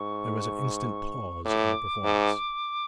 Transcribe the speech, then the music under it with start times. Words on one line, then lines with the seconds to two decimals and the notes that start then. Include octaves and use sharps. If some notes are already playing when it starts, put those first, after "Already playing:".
There was an instant pause in the performance.
Already playing: G#2 C#6
1.44 A2 D6
2.04 G#2